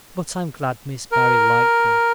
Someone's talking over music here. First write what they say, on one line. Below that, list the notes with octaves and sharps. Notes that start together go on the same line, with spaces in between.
But I'm glad Miss Barry liked them.
A#4